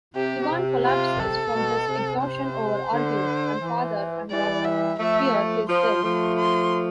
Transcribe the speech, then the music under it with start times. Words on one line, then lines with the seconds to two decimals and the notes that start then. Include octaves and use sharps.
Ivan collapses from his exhaustion over arguing, and father and daughter fear he's dead.
0.15 C3 G4
0.50 C3
0.85 F4
1.19 A4
1.54 B2
1.88 C3
2.24 C5
2.92 D3
3.61 E3
4.30 E3 G3 D5
4.64 E5
4.99 F3 A3 E5
5.68 F3 C6
6.03 F3 A3
6.38 C6